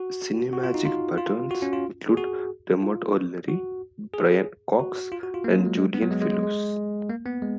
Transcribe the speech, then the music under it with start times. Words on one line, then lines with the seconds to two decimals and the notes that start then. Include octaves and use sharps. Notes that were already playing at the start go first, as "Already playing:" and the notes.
Cinemagic's patrons include Dermot O'Leary, Brian Cox and Julian Fellowes.
Already playing: F#4
0.53 F#4
0.63 F4
0.74 D#4
0.85 F4
1.18 F4
1.51 F#4
1.62 C#4
1.73 F4
2.09 G#4
2.17 F#4
2.82 F4
3.49 F#4
4.14 G#4
4.79 F#4
5.12 F4
5.23 F#4
5.34 F4
5.44 A#3
5.56 F#3
5.66 G#3
5.78 G#3
5.94 B3
6.03 F#3
6.11 G#3
6.21 G#3
6.33 G#3
6.43 G#3
7.10 A#3
7.26 B3
7.42 G#3